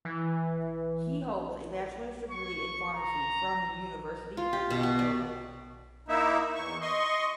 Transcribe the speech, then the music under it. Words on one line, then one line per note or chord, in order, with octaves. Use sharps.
He holds a bachelor's degree in pharmacy from the University of Manitoba.
E3
C#6
A#5
F4
G4
B2
F#4
D5
A#3 D#4 E4 E5
E2 C#6
D#5 C6 C#6